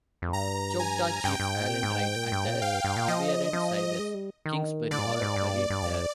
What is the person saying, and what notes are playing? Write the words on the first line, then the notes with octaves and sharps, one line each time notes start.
Choctaw Chief Allen Wright and the Reverend Cyrus Kingsbury are buried there.
F2
G2 A#5
G#5
G2 G5
G2
G#2
A#2
G#2
A#2 G5
G2
A#2
G#2 F5
G2
G2
A#2
F3 D#5
F3
G#3
G3
D#3
D3 D5
G#2
A#2
G#2
G2
G2
F2 D5